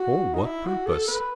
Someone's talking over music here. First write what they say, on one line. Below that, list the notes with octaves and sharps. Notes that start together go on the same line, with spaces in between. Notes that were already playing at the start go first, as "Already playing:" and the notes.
"For what purpose?"
Already playing: F#4
D#4
E4
F#4
A4
B4